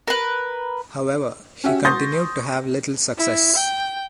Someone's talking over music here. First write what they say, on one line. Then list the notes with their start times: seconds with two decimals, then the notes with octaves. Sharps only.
However, he continued to have little success.
0.07 A#4 B4
1.64 C#4 F#4 G4 E5
1.85 C6 C#6 D#6 G6 A6 A#6
3.18 E4
3.56 G5